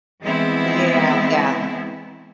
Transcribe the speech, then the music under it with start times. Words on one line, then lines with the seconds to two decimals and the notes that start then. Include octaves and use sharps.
Yeah, yeah.
0.22 E3 G#3 B3 C4 E4